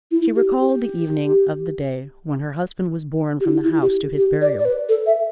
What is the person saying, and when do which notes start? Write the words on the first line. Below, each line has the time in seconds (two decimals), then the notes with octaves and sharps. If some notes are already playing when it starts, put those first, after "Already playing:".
She recalled the evening of the day when her husband was borne from the house to his burial.
0.11 E4
0.36 G4
0.59 G4
3.40 G4
3.45 E4
3.64 E4
3.82 G4
4.17 G4
4.42 D5
4.58 D5
4.65 B4
4.89 A4
5.06 E5